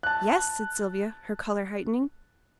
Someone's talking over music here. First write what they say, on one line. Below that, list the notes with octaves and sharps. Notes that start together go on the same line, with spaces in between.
'Yes!' said Sylvia, her colour heightening.
A5 F#6